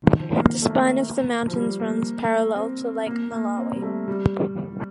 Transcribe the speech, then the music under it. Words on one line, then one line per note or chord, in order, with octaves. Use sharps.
The spine of the mountains runs parallel to Lake Malawi.
D#3
F3
A#3
A#3
A3
A#3
F3
G3
A#3
C4
A#3
A#3
C4
G3
A3
G3